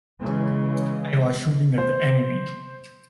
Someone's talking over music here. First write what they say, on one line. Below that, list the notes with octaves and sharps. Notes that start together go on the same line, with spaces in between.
I was shooting at the enemy.
C#3 E3 G#3
C5